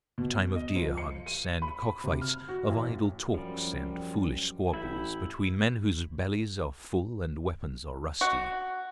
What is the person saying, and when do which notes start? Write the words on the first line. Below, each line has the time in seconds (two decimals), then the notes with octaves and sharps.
A time of deer-hunts and cock-fights; of idle talks and foolish squabbles between men whose bellies are full and weapons are rusty.
0.18 B2
0.56 D#5
0.75 F2
0.98 C#7
1.26 D#7
1.62 B5
1.82 B5
2.04 C3
2.22 F6
2.48 F#4
2.69 A1
3.34 F#2 F3 G3
4.74 A1 E4 E5 G6
8.21 F#4